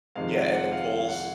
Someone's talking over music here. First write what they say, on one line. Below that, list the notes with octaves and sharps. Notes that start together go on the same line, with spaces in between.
yeah, and the pools
F2 C3 D#3 G#3 F5
F#5
F#5
F5
F#5